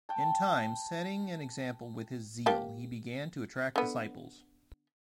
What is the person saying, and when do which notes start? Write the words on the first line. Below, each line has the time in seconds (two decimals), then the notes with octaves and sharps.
In time, setting an example with his zeal, he began to attract disciples.
0.09 G5 A5
2.46 A#3 G4 A5
3.76 D3 B3